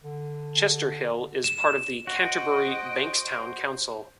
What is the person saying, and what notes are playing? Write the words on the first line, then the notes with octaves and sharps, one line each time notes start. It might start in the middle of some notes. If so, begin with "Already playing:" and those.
Chester Hill is part of the Canterbury-Bankstown Council.
D3
E7
F#4 C5 D#5 G5